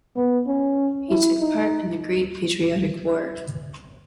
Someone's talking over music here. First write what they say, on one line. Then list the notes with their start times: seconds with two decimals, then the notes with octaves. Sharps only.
He took part in the Great Patriotic War.
0.16 B3
0.47 C#4
1.10 E4
1.40 D#4